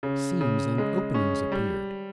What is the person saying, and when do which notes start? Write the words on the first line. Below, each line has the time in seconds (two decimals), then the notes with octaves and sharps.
Seams and openings appeared.
0.03 C#3
0.41 C#3
0.78 G#3
1.14 C#4
1.52 G3